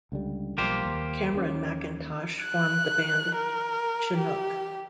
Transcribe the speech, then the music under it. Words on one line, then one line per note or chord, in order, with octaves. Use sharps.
Cameron MacIntosh formed the band Chinook.
C#2 D3 G3
B1 F3 G3 A#3 G4 C5
D#2
D#2 A3 C#4
F#6
A#4
G4